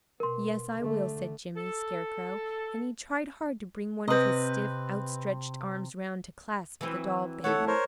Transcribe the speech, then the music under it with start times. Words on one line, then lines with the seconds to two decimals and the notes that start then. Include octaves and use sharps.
"Yes, I will," said Jimmy Scarecrow, and he tried hard to bring one of his stiff, outstretched arms around to clasp the doll-baby.
0.20 B2 A#4 C6
0.80 D3 A3
1.57 A4
4.08 C3 C4 B4 D#5
6.81 E3 F#3 C4
7.44 A3 E4 A4 C#5 F#5
7.67 A#4 C5 C#5